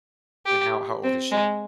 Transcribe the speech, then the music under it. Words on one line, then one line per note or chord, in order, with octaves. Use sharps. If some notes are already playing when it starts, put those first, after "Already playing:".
And how how old is she?
G4
C4
G#3